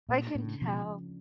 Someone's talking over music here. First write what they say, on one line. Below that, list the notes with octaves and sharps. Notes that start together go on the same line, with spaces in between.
I can tell.
A#2 A3
D4
A2
C#3
B2 F3